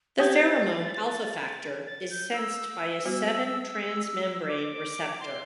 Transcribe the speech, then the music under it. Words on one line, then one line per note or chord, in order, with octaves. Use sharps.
The pheromone alpha-factor is sensed by a seven transmembrane receptor.
C4 G4 C5 A6
A6
G6
E6
G3 B3 F#4 C5
D6
C6